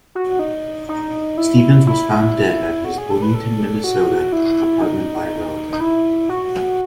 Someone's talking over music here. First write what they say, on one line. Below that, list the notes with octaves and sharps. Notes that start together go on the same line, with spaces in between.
Stephens was found dead at his Bloomington, Minnesota apartment by a relative.
F#4
D#4
D#4
E4
E4
F#4
G#4
A4
B4
A4
F#4
E4
D#4
D#4
E4
F#4